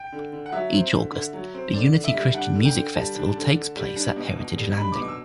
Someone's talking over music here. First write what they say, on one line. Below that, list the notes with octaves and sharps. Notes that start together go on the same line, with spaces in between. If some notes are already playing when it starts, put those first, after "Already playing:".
Each August, the Unity Christian Music Festival takes place at Heritage Landing.
Already playing: G5
D3
D3
F#5
F#3 E5
C4
D3
D3
F#3
C4
D3 D5
D3
E5
G3
D4 F#5
D3
G5
D3
G3 A5
D4
A5
D3
D3
G3
D4
B2
B2
G3
D4 B5
D6
B2
E6